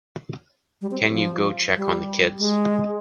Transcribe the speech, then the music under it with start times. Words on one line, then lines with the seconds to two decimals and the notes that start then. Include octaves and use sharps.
Can you go check on the kids?
0.81 G3
0.91 C4
1.02 G3
1.12 F3
1.76 G3
2.39 G#3